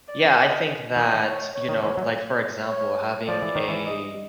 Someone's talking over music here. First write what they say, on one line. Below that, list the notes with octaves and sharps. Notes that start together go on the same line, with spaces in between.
Yeah, I think that you know, like, for example, having a
D5
D#5
D#3 D#5
C#5
C#5
D#3
E3
F#3
C#5
F3 D5
E3
D#3
E3
D#5